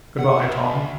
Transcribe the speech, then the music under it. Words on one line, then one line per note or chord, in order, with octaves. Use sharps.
Good-by, Tom.
F#5
D2